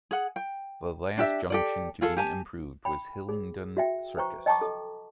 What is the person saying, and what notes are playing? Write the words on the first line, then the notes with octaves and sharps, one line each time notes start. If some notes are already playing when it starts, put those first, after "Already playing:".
The last junction to be improved was Hillingdon Circus.
G#4 F#5
G5
D4 G4 E5
G4 A4 D5
F4 G#4 A4
G4 G#5 A5
G5 B5
G#4
F#4 E5 G5
B4 C5 G5 A#5 C#6
D#5 G5 A5 A#5 C#6 D6
A4